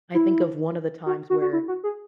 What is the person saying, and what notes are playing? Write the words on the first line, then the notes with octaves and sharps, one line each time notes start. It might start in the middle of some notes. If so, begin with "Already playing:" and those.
I think of one of the times where
E4
F#4
F#4
F#4
E4
F#4
G#4